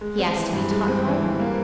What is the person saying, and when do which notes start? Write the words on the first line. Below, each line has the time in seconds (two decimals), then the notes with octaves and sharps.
He asked to be taught gardening.
0.01 G#3
0.19 C4
0.36 E3
0.53 G2
0.71 G#3
0.88 C4
1.05 E3
1.23 G2
1.40 A#3